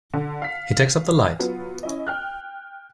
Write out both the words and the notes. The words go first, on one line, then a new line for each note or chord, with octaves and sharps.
He takes up the light.
D3
F5 B6
F#3 B3 F4
C#4 E4 D#5
G5 F6 F#6